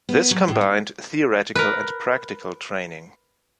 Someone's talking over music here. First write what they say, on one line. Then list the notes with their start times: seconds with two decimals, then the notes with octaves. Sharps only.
This combined theoretical and practical training.
0.09 B3
0.31 F#3
0.48 A2
0.61 D#2
1.55 A#4 B4